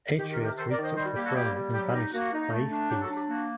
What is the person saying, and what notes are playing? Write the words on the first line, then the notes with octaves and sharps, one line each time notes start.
Atreus retook the throne and banished Thyestes.
D#3 G4
G4 A#4
C3
G4 A#4
D#3 A4 C5
A#4 D5
D#3
C5 D#5
G3 C5 D#5
F#4
A#3 G4
F#4 A4
G3 G4
G3
F#3 G4
D#4 G4
A#3 F#4
D#4
A3
D4
F#3 G4
F#4 A4
D4
G4
A#3 F#4